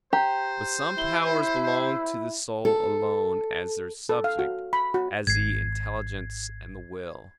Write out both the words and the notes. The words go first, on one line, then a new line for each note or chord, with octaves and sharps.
But some powers belong to the soul alone as their subject; as the intelligence and the will.
G4 C5 A#5
E4 G7
A4
A4
F5
F#4
B5
F#4
G#1 G#6 C7